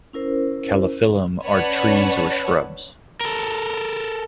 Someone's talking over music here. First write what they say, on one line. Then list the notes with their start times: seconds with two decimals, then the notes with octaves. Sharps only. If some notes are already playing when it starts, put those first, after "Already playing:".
"Calophyllum" are trees or shrubs.
0.13 C#4 E4 A#4 C5
1.44 C#4 B4 C#5 D5 F#5 A5
3.21 A4 A#4